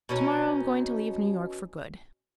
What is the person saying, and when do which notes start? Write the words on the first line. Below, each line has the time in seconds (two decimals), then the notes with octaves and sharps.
To-morrow I'm going to leave New York for good.
0.09 B2 C#4 D#4